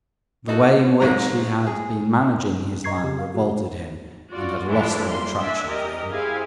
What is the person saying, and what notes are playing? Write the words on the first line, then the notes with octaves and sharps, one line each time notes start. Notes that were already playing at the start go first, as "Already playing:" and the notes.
The way in which he had been managing his land revolted him and had lost all attraction for him.
D#4 F#4 A4
A1 G#2 F#3 G#3 A#5
G#4
D#5 A#5 C#6 G#6 C7
C#3 G4
F5
F#4 G#4
F4 F#4 D5
E3 F3 A3 D4 F4
G3 A#3 C6
D4 D5 E5 G#5
G4 A#4 D#5
C4 E4 G4 G#4 F5 G#5